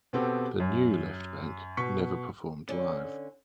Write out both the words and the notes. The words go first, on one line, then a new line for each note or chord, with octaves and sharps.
The "New" Left Banke never performed live.
B2 B3 C4 G4 A4
F#2
B2 C#6 B6 C#7
D3 C#4